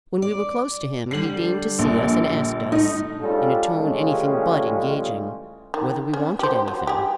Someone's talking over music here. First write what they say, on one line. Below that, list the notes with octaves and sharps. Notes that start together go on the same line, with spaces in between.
When we were close to him, he deigned to see us and asked us, in a tone anything but engaging, whether we wanted anything.
D5
D3 G3 C7 F#7
A#1
A2 A3 D#4
G3 G#3 C#4 D4 F4 A4
A1 A2 C#3 G3 G#3 F4
D#3
C#4
G4 C5
F#3
G4 G#4